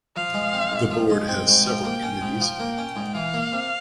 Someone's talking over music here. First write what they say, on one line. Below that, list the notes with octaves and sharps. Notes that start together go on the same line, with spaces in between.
The board has several committees.
F3 F5
G#3
C4
G#2
F3
G#3
C4 G5
G#2
F3
A#3
C#4
G#2
F3
A#3
C#4
G#2
E3 F5
A#3
C3